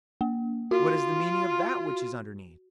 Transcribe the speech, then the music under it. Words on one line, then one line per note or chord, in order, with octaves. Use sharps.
What is the meaning of that which is underneath?
A#3
F4 F#4